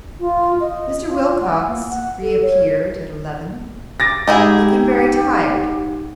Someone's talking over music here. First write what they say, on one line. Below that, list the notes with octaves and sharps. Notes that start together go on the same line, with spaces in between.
Mr. Wilcox reappeared at eleven, looking very tired.
F4
D#5
F4
F#5
A#3
F#5
A4
C#5
D6 A6 A#6
G#2 D#4 E4 G4 G#4